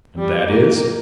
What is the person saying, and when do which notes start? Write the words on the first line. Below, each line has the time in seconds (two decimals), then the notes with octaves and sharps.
"And that is--?"
0.18 G3
0.49 A#3